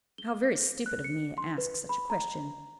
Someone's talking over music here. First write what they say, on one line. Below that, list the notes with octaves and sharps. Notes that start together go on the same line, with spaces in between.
How very stupid of me to ask such a question.
G7
F#6
C#7
C6
B4
B5
A#5